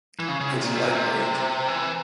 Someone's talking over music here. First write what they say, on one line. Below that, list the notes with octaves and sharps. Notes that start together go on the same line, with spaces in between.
It's light weight.
E3
C#3
C#3
C3
A#2
C3
A#2
C3
E3